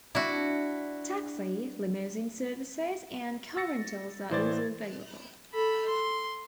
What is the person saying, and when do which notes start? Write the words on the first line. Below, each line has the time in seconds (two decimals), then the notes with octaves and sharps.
Taxi, limousine services, and car rentals are also available.
0.15 D4 E4 F#4
3.57 E6 A6 A#6 C#7
4.31 A2 E3 C5 D5 G#6 A6
5.53 A4 B5
5.88 C6